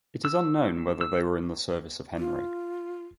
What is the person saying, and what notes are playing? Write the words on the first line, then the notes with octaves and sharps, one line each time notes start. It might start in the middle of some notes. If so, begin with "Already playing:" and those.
It is unknown whether they were in the service of Henry.
E6
E6
F4